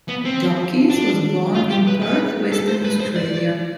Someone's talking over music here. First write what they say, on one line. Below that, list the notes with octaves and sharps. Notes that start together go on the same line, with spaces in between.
Dawkins was born in Perth, Western Australia.
B3
C4
D4
F4
G4
B4
B4
A4
C5
B4
C5
D5